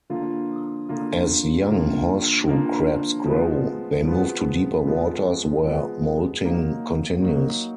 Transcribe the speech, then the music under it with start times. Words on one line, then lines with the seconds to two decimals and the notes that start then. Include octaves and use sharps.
As young horseshoe crabs grow, they move to deeper waters, where molting continues.
0.10 D3 F3 A#3 F4
0.89 D3 F3 A#3 F4
1.68 D3 F3 A#3 F4
2.47 D3 F3 A#3 F4
3.26 F3 G#3 B3
4.05 F3 G#3 B3
4.85 F3 G#3 B3
5.64 F3 G#3 B3
6.43 F#3 A#3 D#4
7.22 F#3 A#3 D#4